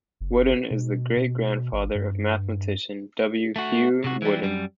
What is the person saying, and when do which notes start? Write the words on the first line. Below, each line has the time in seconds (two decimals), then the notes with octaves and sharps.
Woodin is the great-grandfather of mathematician W. Hugh Woodin.
0.21 F#1
0.71 B2
1.17 B2
1.73 G#1
1.95 G2
3.56 A3 F#4
4.04 C3 F#4
4.22 E3 G3
4.42 F#2 G3